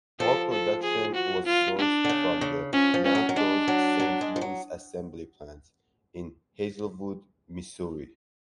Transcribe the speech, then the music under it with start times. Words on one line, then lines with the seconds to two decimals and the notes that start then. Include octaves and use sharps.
All production was sourced from the now-closed Saint Louis Assembly Plant in Hazelwood, Missouri.
0.20 F3 A4
0.52 A4
0.82 G#4
1.15 F#4
1.46 F4
1.78 D4
2.05 D3
2.09 C#3
2.41 C#3
2.73 F3 C#4
2.94 F3
3.05 C#4
3.15 F#3
3.29 F#3
3.36 G#3 D4
3.68 F#3
3.99 F#3
4.21 G#3
4.36 F3
4.41 F#3